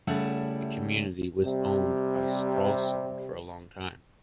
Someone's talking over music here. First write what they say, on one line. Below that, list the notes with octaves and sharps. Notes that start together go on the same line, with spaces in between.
The community was owned by Stralsund for a long time.
C#3 G3 A3 E4 F#5 A5
C3 G3